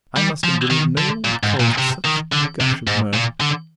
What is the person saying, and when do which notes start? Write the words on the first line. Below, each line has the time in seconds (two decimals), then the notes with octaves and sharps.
I must and will know what caused such a gush of mirth.
0.17 G3
0.44 F3
0.70 D#3
0.98 D3
1.25 A#2
1.43 G#2
1.60 A#2
1.79 C3
2.05 D#3
2.33 D3
2.60 C3
2.87 G#2
3.14 A#2
3.41 D3